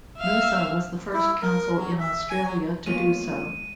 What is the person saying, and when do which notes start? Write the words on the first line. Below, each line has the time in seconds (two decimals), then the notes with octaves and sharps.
Noosa was the first Council in Australia to do so.
0.18 E5 F5
1.13 E4
1.42 A#4
1.78 F#3
2.00 E5
2.30 G#5
2.46 F#3
2.86 D#2 G#3 A#3 B3 C#4 F4 D#7